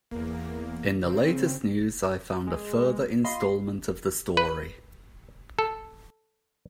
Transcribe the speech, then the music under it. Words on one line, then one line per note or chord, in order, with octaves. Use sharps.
In the latest news I found a further instalment of the story.
E2 A#3
C#3 C4
G#3
F4 D#5 B5 C6
B4
A4